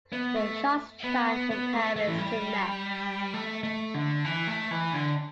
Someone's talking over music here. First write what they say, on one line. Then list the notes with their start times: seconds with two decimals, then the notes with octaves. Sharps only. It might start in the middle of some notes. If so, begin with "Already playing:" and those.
The shots span from Paris to Metz.
0.13 B3
0.36 A3
1.04 B3
1.51 B3
1.73 A3
1.96 A3
2.07 E3
2.18 G3
3.34 A3
3.63 A3
3.94 D3
4.25 E3
4.47 A3
4.71 E3
4.93 D3